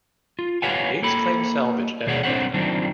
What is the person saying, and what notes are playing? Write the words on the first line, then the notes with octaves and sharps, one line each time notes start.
Yates claimed salvage at Havana.
F4
G4 B4 C#5 F5 F#5 G#5
A#3 A4 B5
D#2 B2 G#4 C#5 D5 F#5
B1 C4 D4 C5 C#5 F#5
D#3 F3 F#3 C4 D4